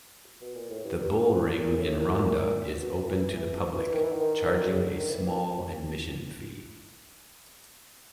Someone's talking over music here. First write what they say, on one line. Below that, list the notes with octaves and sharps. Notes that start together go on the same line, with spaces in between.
The bullring in Ronda is open to the public, charging a small admission fee.
B2
A#2
A2
G2
G2
E2
F2
A#2
A2
A#2
A2
A#2
B2
E3
E3
E3
D#3
E3
D#3
C#3
D3
D#3
E3
D#3